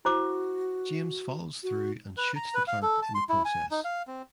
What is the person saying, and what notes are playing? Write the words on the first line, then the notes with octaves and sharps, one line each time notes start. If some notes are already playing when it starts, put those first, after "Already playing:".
James follows through and shoots the clerk in the process.
E4 F#4 C5 D6
F#4
B4
A#5
B4
F5
A4
A5
C6
E4
G#5
D#4
F5
C4